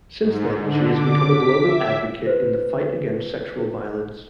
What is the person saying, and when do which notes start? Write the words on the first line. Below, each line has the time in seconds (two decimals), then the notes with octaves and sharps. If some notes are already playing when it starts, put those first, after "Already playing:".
Since then, she has become a global advocate in the fight against sexual violence.
0.21 G#2
0.59 D3
0.91 D6
1.28 B6
1.62 E5
2.27 B4 C5